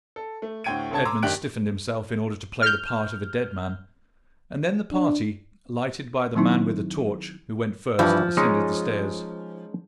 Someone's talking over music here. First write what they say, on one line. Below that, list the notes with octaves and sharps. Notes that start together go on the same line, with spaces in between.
Edmond stiffened himself in order to play the part of a dead man, and then the party, lighted by the man with the torch, who went first, ascended the stairs.
A4
A3
D2 A2 G5 G#6 D7 D#7
D2 C#3 A4 A5 G#6
A#5 C6 D6 E6
F#1 D#3 D4 G4 F#6 D7
F6 G6
D4
D#3 F#3 C4 D#4 E4
G2 E3 F3
G#3 C#4 D#4